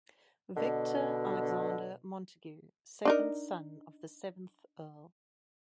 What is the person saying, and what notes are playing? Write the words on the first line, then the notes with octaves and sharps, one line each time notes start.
Victor Alexander Montagu, second son of the seventh Earl.
B2 D3
D4 D#4 A#4